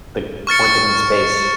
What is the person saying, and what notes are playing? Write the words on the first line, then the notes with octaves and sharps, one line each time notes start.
the pointed in space,
C#6 F6 A6 C#7